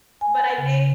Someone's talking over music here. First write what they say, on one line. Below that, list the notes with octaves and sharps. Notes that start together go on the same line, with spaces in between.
But, I think
G#5
C#3